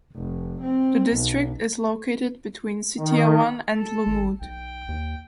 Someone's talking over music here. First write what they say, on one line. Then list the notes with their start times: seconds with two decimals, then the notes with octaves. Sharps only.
The district is located between Sitiawan and Lumut.
0.16 F1
0.63 C4
1.13 B1
2.97 D#3
3.75 A4
4.07 G#1
4.41 B1 G5
4.89 D#2